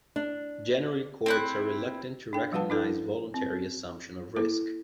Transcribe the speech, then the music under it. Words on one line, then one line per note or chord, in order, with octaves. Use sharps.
Generally courts are reluctant to recognise voluntary assumption of risk.
D4
C4 E4 F#6
D4 G5
F3 G3 B4 F5 F#5 A5
D4 E4 A4
C4
A#3 E4 A4